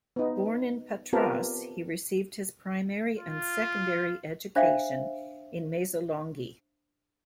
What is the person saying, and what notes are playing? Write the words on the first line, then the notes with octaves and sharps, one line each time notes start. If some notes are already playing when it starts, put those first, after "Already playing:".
Born in Patras, he received his primary and secondary education in Mesolonghi.
B3 D#4
B3 C4 F4 G4 A4 A#4
F4
D4 C5 E5 F5